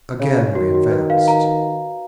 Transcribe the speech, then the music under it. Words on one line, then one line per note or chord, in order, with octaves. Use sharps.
Again we advanced.
C#3 C#5
C#5
D#3 F#4
F#4
B4
F5
A#5